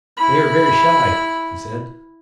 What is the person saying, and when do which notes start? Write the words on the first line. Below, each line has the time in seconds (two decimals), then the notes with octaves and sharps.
"They are very shy," he said.
0.17 E4 B5